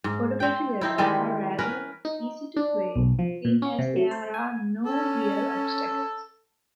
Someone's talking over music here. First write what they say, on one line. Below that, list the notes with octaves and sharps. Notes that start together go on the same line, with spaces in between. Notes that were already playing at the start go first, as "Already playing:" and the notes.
Photography levels are rather easy to play, seeing as there are no real obstacles.
G#2
C4 G5
C4 D#4 E4
D#3 E3 G3 G#3
C#4 A#4 B4
D#4
D4
B1
F3
A#2
C#4
C3
F#3
C5
G#5
C#4 A4